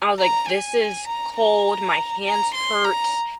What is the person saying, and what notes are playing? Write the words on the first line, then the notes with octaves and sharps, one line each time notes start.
I was like, "This is cold, my hands hurt."
A#5
G#5
A#5
A#5
A#5
C6
A#5